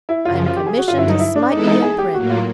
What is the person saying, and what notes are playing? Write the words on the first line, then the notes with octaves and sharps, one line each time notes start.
I am commissioned to smite you in print.
E4
F#2 C#3 F3 F4
F4
F4
G4
G#4
F#4
G2 D3 F#3 F4
E4
D#4
E4
D4
E3 G#3 B3 D#4 E4 A4
D#4
G#4
G4
A2 F#3 A#3 F#4
F4